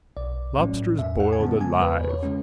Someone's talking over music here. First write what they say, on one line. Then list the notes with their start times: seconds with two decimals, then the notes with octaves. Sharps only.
Lobsters boiled alive.
0.17 B1 D5
0.58 A2 F#3 C#4
0.99 E2 E5
1.20 F#5
1.33 G#5
1.40 C#3 G#3 B3 A5
1.61 G#5
1.82 E2 B4
2.04 B4
2.09 C#5
2.23 C#3 G#3 C#4